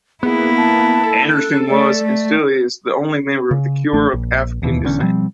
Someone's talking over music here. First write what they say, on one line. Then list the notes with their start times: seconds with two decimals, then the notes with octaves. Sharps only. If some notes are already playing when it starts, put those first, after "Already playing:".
Anderson was, and still is, the only member of The Cure of African descent.
0.23 A#3 B3 E4 G#4
0.57 A5
1.04 A4
1.32 F#6
1.68 A3 D5
2.03 A3
3.51 C#3
3.93 A1 A3 D4
4.14 A#1
4.62 D1 D#2 B2 E3
4.84 E1 E2 D3 C#4
5.02 B2 F3 G3 C4